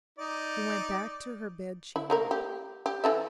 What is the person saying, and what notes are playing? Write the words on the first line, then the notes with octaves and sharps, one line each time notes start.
She went back to her bed-chamber.
D#4 D5
E4
A3 A#3 A#4
G4
G4
E3 A4 E5